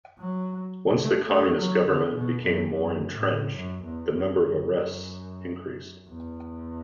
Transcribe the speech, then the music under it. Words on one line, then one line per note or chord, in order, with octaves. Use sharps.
Once the Communist government became more entrenched, the number of arrests increased.
F#3
A3
A3
F#3
D3
B2
F#2
F#2
A2
F#2
E2
F#2
F#2
E2